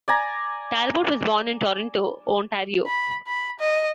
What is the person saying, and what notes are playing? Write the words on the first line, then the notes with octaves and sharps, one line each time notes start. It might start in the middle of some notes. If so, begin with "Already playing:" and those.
Talbot was born in Toronto, Ontario.
D5 G#5 A#5
B5
B5
D#5